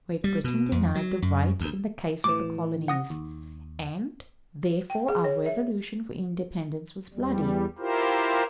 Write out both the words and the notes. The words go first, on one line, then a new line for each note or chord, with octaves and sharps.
Great Britain denied the right in the case of the colonies, and therefore our revolution for independence was bloody.
G3
B2
F2
F#3
F#2
D2
A2 E3 D6
F#5 D#6 A#6
D#2
G5
G#4
C#5
E5
E2 G3
E4 F4 G4 A#4 C5